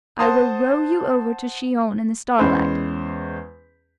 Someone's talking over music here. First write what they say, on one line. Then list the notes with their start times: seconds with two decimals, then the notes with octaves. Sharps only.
"I will row you over to Chillon in the starlight."
0.19 C5 F#5 A5 C6 D#6
2.38 E2 G#3 C#4 C5 B5